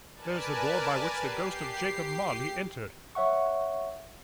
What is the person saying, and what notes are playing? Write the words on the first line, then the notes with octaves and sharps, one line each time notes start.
'There's the door by which the Ghost of Jacob Marley entered!
A#4 B4 D5 G#5 A5
G4 C7
C#5 E5 F#5 C#6